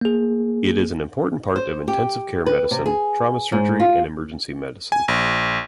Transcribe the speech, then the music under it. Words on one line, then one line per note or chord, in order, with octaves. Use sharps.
It is an important part of intensive care medicine, trauma surgery and emergency medicine.
A#3 G#4
C5
G4
B4
C3
G#4
G#2
F4
G#5
A#1